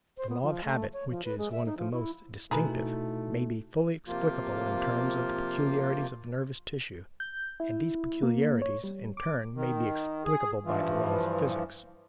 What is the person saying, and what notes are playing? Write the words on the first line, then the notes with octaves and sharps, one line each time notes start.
The law of habit, which is one of the most distinctive, may be fully explicable in terms of the peculiarities of nervous tissue, and these peculiarities, in turn, may be explicable by the laws of physics.
C5
B3
F3
A3
C#5
F3
B4
G#3
E5
D#4
F3
E4
B2 A3 D#4 E4 F#4 G#4 A#4 B4
C3 F3 A#3 F4
G6
E4
A#3
C#5
G3
D6
D#3
G#4
G2 E3 F3